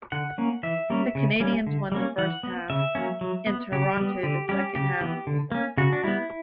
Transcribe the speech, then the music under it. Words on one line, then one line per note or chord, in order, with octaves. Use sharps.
The Canadiens won the first half, and Toronto the second half.
D3 F#5
A#3 C#4
E3 E5
G3 A#3 C#4
C#3
G3 A#3 C#4
D3
G3 A#3 C#4
E3 F#5
B3
C#3 E5
F#3 A#3 C#4
F#3
B3
C#3 G4
G3 B3
D3 G4
G3 C#4 G4
C#3 G4
E3 B3
D3
A#3 C#4
C#3 F#4
D4
G3 B3 E4